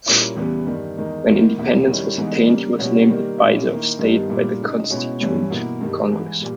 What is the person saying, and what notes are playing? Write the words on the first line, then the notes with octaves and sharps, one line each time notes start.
When independence was attained, he was named advisor of state by the constituent congress.
A#2 G3 A#3 C#4 E4
E2 C#3 E3 G3 B3
G2 D#3 G3
E2 D#3 G#3 D#4
G#2 D#3 A#3 E4
E2 B2 A#3 E4
D#3 G3 C#4 E4
G#2 E3 G#3 B3 D#4
C#3 G3 A#3
B2 G3 C#4 E4
D#3 G3 A#3
A#2 G#3 C#4 E4
D#3 A#3 E4
G2 D#3 G3 B3
A#2 G3 A#3 E4
C#3 G#3 D#4
B2 G#3 C#4 E4
G2 E3 G3 C#4
B2 A#3 E4
G2 D#3 G3
G#2 E3 G#3
A#2 G3